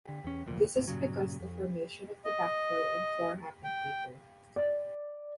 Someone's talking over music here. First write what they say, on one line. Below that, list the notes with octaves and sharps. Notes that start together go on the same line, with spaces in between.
This is because the formation of the backfill and floor happened later.
D3
E2 C#4
F1 D2 A#2
G#1 D#2 A2 C3
G2 A#2 C#3 F#3
F2
D#5
G5
D5